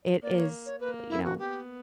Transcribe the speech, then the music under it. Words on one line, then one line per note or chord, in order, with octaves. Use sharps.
it is, you know
A#3 D5
C#5
C#5
A#3 B4
E4
F#4
B3 G4